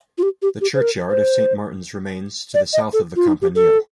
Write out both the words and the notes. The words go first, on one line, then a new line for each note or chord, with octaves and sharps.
The churchyard of Saint Martin's remains to the south of the campanile.
F4
G4
G4
G4
C5
A#4
C5
D5
D#5
A4
F4
D#4
G4
A4